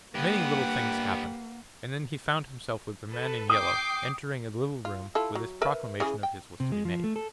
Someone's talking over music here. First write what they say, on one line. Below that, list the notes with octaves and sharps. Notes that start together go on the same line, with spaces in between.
Many little things happened, and then he found himself with the man in yellow entering a little room where this proclamation of his was to be made.
G2 A#3 B3 G4 B4 F#5
A4 B4
G5 D6 D#6 C7
F4
E4 F4 A4
F#3
A#4 B4 E5
C#3 E3 G#4
G5
C3
G#3
F3
A3
A4